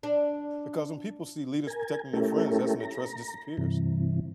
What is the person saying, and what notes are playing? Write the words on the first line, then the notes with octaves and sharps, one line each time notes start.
because when people see leaders protecting their friends, that's when the trust disappears.
D4
A#4 G#5
A3 C#4 E4 G4 A4 A#4
A#5
G2 C3 E3